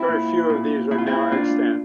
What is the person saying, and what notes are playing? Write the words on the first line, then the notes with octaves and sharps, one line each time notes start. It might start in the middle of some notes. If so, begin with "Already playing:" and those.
Very few of these are now extant.
Already playing: C4 E4
A#2
A#2
A#2 E4
F4
C4 E4
A#2 D4 F4